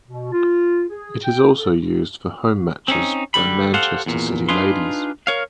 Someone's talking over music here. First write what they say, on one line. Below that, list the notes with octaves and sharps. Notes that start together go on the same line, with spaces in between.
It is also used for home matches by Manchester City Ladies.
B2
F4
G#4
G5
A4
C4 C#4 D#4
D3 G3 B5
G4 A4 C5 F5 F#5
E2 A#2
D4 D#4 F4 G#4 B4 C6
A#4 C#5 F5